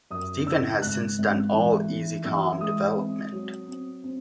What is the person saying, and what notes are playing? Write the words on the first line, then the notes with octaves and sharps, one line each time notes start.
Stephen has since done all Ezycom development.
F#2 D#6
C#3 E6
G#1 F#6
G#1
E3
E3
E3 E6
G#3 D#6
C4
F#3
C4
C4